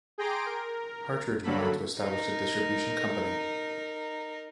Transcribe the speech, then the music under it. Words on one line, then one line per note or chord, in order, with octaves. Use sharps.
Hartridge went on to establish a distribution company.
G#4 G5 A#5 C6 D6 D7
A#4
D3 F#3 A#3 A4 B5
D#4 A#4